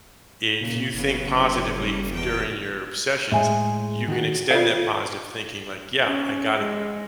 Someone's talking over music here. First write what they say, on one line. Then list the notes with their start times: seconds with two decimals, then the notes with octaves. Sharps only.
if you think positively f during your sessions, you can extend that positive thinking like, "Yeah, I got
0.61 A#2 C#3
0.94 F#1 C#3 B3
1.77 G3 C#4
2.14 E2 G5
3.32 A2 G#3 E5 G#5
4.08 D#3 F#4
4.51 F4 A4 D5 E5 F5
6.05 C#4
6.57 G#3